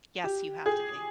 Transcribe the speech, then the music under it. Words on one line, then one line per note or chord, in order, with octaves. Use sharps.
Yes, you have to be.
G4
G#4